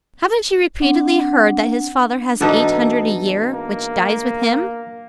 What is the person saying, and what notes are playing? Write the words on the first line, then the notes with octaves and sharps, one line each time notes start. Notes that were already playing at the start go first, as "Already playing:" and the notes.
'Haven't you repeatedly heard that his father has eight hundred a year, which dies with him?
C4 D4 F#5
E2 G#2 B3 D4 D#4 F#4 A4 B4
A#3